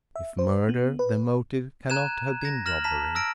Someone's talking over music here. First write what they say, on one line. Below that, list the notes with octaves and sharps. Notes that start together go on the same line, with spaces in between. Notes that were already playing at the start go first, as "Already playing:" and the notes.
If murder the motive cannot have been robbery.
E5
C5
B3
B4
A#5 F#6 G#6 D#7 E7
G#6 A#6
F6 A#6 E7 F#7
A5 A#5 B6 E7
E6 F6 A#6 D7